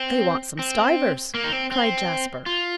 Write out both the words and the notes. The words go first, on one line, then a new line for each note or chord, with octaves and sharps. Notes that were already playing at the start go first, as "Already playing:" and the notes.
"They want some stuivers," cried Jasper.
Already playing: C4
C4
A#3
D#4
C4
C4
F4